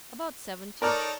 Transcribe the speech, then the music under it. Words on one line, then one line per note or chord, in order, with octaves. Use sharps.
"About seventy."
D#4 A4 A#4 C#5 D5 F6